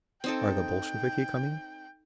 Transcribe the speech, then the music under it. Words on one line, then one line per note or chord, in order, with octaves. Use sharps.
"Are the Bolsheviki coming?"
C4 D#4 A4 G5